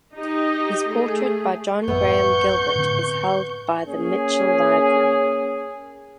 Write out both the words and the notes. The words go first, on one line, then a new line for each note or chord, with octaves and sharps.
His portrait by John Graham Gilbert is held by the Mitchell Library.
D#4 G4 D#5
A3 G#4
A1 F#2 B3 B4 E5 C#6 G6
A2 D3 C4
A#3 C#4 G#4